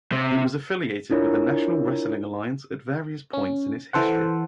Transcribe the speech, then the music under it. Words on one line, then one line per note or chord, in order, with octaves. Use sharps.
It was affiliated with the National Wrestling Alliance at various points in its history.
C3
D4 E4 F4 A#4 C#5
C#4
E3 A4 C5 F#5